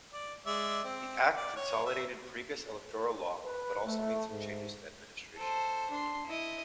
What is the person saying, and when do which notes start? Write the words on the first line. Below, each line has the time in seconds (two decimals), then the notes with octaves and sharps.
The Act consolidated previous electoral law, but also made some changes to administration.
0.13 D5
0.46 G#3 D5 E5
0.84 C4
1.35 D5
1.56 C#5
1.86 E5
3.45 B4
3.85 A3
4.31 G#2
5.37 A4 C5
5.90 D4 C6
6.26 E4 D#5